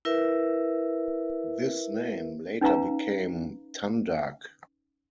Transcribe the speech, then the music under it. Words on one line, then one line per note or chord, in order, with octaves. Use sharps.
This name later became Tandag.
E4 A#4 B4 E5
C#4 D#4 B4 F5 A#5